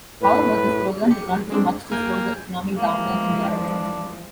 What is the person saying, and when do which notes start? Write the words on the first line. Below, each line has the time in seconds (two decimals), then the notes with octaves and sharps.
However, this program did not do much to slow the economic downturn in Europe.
0.21 A2 B4
1.10 G4 C#7
1.50 G#3 C4 D4
1.92 A#3 G5 G#5
2.77 E3 F3 G#3 A#3
3.48 D4